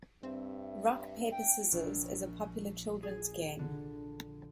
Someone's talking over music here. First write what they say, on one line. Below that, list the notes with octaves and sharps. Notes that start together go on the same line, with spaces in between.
Rock, paper, scissors is a popular children's game.
G2 C4 E5
G5
A#1
G#4
D3